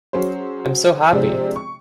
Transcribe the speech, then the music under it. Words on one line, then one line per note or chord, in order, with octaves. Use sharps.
I’m so happy.
F#3 C#4 F#4 G#4 C5
C3 F3 G#3 C4 D4
C#6